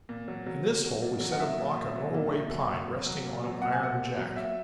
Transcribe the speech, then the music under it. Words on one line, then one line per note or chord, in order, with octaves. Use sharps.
In this hole we set a block of Norway pine resting on an iron jack.
A#2
F#3
F#3
F#3
F#3
A#2
F#3
F#5
F#3 E5
A#2
A#2
F#3
A#2
A#2
F#3
A#2
F#3
F#3
A#2
F#3
A#2 F#5
G#5
A#2 F#5
A#2
F#3
A#2 E5